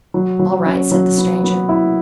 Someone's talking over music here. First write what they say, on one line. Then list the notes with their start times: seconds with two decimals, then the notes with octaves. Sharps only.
"All right," said the stranger.
0.14 F#3
0.39 F#3
0.66 C#4
0.92 F#3
1.18 B3
1.44 B3
1.69 E4